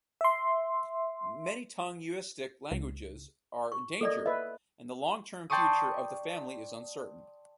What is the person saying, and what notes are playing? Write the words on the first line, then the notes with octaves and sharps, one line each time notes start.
Many Tungusic languages are endangered, and the long-term future of the family is uncertain.
E5 C6
C#2
C#6
A#3 A4 D5 D#5
B4 D#5 E5
D5 G5 A5 C6 C#6 D#6